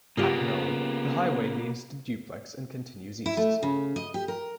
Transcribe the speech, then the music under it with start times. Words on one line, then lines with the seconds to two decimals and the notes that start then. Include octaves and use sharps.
At Noel, the highway leaves the duplex and continues east.
0.17 C#3 A#3 B3 F4 G4
3.26 E4
3.37 A3
3.63 C#3
3.96 D#5
4.14 G4
4.28 A#4